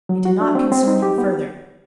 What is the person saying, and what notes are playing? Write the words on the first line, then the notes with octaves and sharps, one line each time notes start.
It did not concern him further.
F#3
F#4
D4
C4
C4
D#4
G4
B3